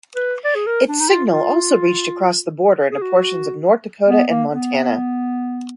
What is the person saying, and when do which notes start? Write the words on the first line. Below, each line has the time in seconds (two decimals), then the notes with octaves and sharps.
Its signal also reached across the border into portions of North Dakota and Montana.
0.16 B4
0.45 D5
0.55 G#4
0.67 A#4
0.88 D4
1.00 D#4
1.09 F4
1.30 F4
2.92 G#4
3.02 F#4
4.08 B3
4.29 A#3
4.51 B3